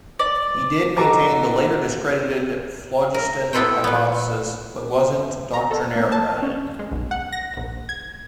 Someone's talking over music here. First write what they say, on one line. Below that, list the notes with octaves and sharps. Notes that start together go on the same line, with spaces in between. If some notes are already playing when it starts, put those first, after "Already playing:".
He did maintain the later-discredited phlogiston hypothesis, but wasn't doctrinaire about it.
D5
D#4 F#4 A4 A#5 D6
A#4
B3 E4 A4 B4 C5 G5
A#2 B3
A#5
A4
A#3
A5
C#4
G#3
B1
F#5
A#6
A#1
G#6